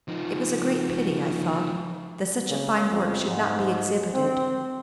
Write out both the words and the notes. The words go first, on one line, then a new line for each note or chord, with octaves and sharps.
It was a great pity, I thought, that such a fine work should not be exhibited.
F3 D#4
C#3
F2
G#2
C4